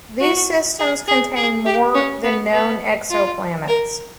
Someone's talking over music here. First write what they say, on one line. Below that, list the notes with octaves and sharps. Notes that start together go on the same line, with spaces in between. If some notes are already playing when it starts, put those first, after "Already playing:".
These systems contain more than known exoplanets.
F#4
G#4
G#4
G#4
G4
C#4
B3
B3
F4
A#4